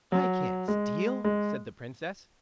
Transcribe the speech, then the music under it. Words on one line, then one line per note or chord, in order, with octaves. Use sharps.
'I can't steal', said the Princess.
F#3
G#3
G#3